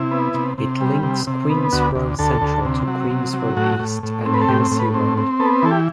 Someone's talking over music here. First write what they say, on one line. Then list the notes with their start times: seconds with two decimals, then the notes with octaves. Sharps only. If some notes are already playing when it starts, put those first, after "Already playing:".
It links Queen's Road Central to Queen's Road East and Hennessy Road.
Already playing: C3 E4
0.11 B3
0.34 C3
0.58 C3
0.81 G3
1.03 C3
1.27 C3
1.49 B3
1.72 D2 F#4
1.95 D2
2.19 D2 A4
2.41 D2
2.65 C3
2.88 F#3
3.10 C3
3.33 F#3
3.57 A2 F#4
3.80 A2
4.03 A2
4.25 C4
4.34 B4
4.42 A4
4.48 A2 G4
4.71 A2
4.79 B4
4.94 C4
5.18 C4
5.40 B3 A4
5.63 E3 A4
5.71 G4